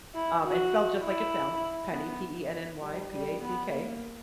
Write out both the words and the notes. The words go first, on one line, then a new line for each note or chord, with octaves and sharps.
Um, and spelled just like it sounds, Penny, P-E-N-N-Y P-A-C-K,
E4
F#4
E4
B3
G3
G3
B3
A#3